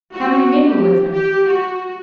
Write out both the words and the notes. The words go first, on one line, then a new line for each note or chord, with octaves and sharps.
'How many men were with him?'
F#4
G4
G4
F#4